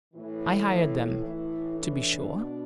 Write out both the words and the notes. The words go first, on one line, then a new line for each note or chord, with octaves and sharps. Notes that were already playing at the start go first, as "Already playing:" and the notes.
I hired them, to be sure.
A2 E3 E4
A2 E3 E4
D4
B2